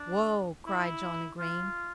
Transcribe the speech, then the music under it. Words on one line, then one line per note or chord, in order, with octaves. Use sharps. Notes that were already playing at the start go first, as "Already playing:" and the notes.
"Whoa!" cried Johnnie Green.
Already playing: D4
E4
F4